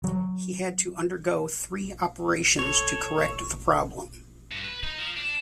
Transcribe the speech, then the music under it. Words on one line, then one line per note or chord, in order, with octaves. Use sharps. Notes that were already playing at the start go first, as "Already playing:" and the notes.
He had to undergo three operations to correct the problem.
F#3
A4 C#5
G2
B4
D#4
F3
D4